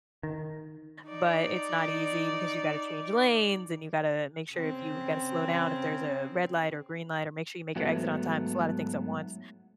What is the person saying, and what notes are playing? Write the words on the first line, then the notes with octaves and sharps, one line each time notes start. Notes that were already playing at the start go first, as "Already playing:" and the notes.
but it's not easy because you gotta change lanes, and you gotta make sure if you gotta slow down if there's a red light or green light or make sure you make your exit on time. It's a lot of things at once.
D#3
D#4 D5
C#3 C4
G#2 F#3 A3 B3